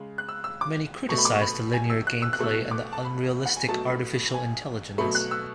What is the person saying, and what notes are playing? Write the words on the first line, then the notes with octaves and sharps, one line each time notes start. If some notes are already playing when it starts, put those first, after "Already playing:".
Many criticized the linear gameplay and the unrealistic artificial intelligence.
Already playing: C#3 G#3
F#6
E6
E6
D6
B2 A3 C#6
B5
D6
C#6
B5
G#5
E6
F#6
E6
F#6
B2 A3 E6
D6
A5
B5
F#5
G#5
B2 F#3 A3 A5
B5
G#5
B2 F#3 A3 B5
F#6
E6